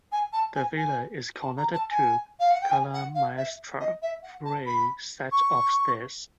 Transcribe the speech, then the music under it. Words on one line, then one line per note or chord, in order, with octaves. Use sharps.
The Villa is connected to "Cala Maestra" through a set of stairs.
G#5
A5
G#5
G#5
A5
A#5
A5
G#5
F5
F#5
G5
G#5
F#5
F5
E5
D#5
E5
F#5
A5
B5
C#6